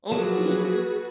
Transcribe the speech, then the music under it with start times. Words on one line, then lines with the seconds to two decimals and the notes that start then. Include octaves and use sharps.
Oh, cool.
0.12 F3 F#3 A#3 F#4 G#4 A4 B4